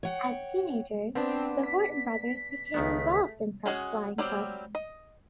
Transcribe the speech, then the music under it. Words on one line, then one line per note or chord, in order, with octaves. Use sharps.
As teenagers, the Horten brothers became involved in such flying clubs.
C#5 F#5 G5
B3 C4 D4
B6
C#2 D#3 A3 B3
G#3 C#4 F#4 G#4 D#5
F#3 G3 C4 G4
D#5